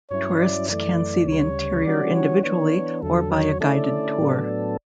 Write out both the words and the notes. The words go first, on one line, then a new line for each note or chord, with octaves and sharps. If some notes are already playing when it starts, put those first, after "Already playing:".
Tourists can see the interior individually or by a guided tour.
G2 F#3 C#4 E4 C#5
D5
F#2 E3 A3 D5
D2 C#3 G3 C#5
E3 G3 C#4 F#4 D5
C#5
E3 B3 D4 C#5
E2 D3 F#3 A4
C#5
D3 A3 C#4 E4 A4 D5
A2 F#3 B3 D4 A4